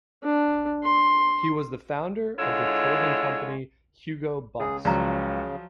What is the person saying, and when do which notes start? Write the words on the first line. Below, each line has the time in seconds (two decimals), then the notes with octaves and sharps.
He was the founder of the clothing company Hugo Boss.
0.23 D4
0.84 C6
2.39 D3 G#3 E4 F4 C#5
4.60 C#2 G#4
4.85 C#2 C#3 F3 F#3 D5 A#5